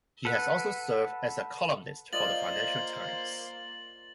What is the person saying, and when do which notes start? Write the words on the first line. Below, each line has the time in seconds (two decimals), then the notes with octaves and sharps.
He has also served as a columnist for the Financial Times.
0.25 A4 B4 F#5
2.13 A#3 F4 C5 D5 D#5 A6 F#7